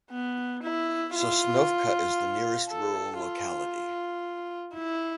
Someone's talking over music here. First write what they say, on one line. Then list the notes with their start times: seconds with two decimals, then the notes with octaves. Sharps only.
Sosnovka is the nearest rural locality.
0.11 B3
0.63 E4
1.15 F4
2.69 A4
3.20 F4
4.75 E4